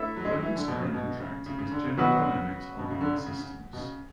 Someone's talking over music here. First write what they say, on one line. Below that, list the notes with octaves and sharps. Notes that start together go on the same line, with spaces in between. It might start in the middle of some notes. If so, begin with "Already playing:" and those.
The weapon's current contractor is General Dynamics Armament Systems.
Already playing: A3 E4 A4 C#5 E5
F#3
G#3
F#3
E3
D3
B2
C#3
B2
C#3
C#3
C#3
D3
C#3
B2 F#3 B3 F#4
D3
C#3
B2
C#3
D3
C#3
C#3
C#3
B2
C#3